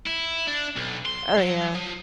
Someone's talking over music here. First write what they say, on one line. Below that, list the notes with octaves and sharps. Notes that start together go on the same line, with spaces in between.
Oh, yeah.
E4
D4
B1
C6
F#3
F3